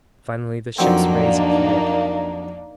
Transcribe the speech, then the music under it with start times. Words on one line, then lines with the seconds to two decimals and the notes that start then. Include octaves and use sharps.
Finally the ship's rays appeared.
0.78 F2 F#3 A#3 C4 D4 D#4